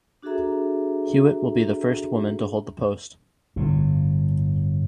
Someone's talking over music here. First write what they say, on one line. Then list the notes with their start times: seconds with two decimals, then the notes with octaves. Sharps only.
Hewitt will be the first woman to hold the post.
0.22 D4 F#4 G#4 A4 E5 A#5
3.56 G1 A2